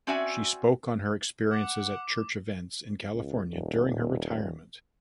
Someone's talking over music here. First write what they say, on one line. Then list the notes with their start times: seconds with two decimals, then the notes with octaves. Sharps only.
She spoke on her experiences at church events in California during her retirement.
0.07 C4 C#4 F#4 D5 E5 G#5
1.51 F#5 D6
3.13 C#2
3.52 D#1